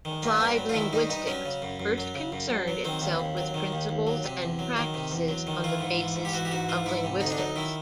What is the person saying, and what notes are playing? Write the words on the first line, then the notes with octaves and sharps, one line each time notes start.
Applied linguistics first concerned itself with principles and practices on the basis of linguistics.
D#3
G2 A#3
G2 B3
F#3
F4
D#3 E4
G2 D#4
G2 D#4
F#3 C#4
C#3
F#2
F#2
F#3
C#3
F#2
F#2
F#3
D#3 C4
D#2
D#2
F#3
D#3
D#2
D#2
F#3
C3
E2
F#3
D#3
C3
E2
F#3
D#3
E3 F4
G#2
E3
G#2
G4
E3 F#4
G4
G#2 F#4
E3 F4
G#2 E4
C3
D2 D#4
D4
F#3 D#4
D#3 E4